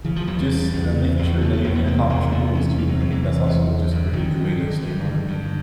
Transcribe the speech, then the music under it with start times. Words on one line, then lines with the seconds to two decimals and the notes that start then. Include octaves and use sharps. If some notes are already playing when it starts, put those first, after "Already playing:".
just, uh, making sure that you can accomplish your goals too. I think that's also just a really good way to stay motivated.
0.05 C#3 E3
0.16 F3
0.27 E2 F#3
0.39 G3
0.51 C#3
0.73 E2
0.95 C#3
1.19 E2
1.41 C#3 A3
1.53 A3
1.64 E2 A#3
1.75 B3
1.86 C3 A#3
2.10 E2 A#3
2.32 C3 B3
2.55 E2 C#4
2.78 C3 G3
2.89 F#3
3.00 E2
3.12 E3
3.23 C3
3.46 E2
3.68 D3
3.91 G2
4.13 D3 D#3
4.36 G2
4.59 D3
4.82 G2
5.05 D3
5.28 G2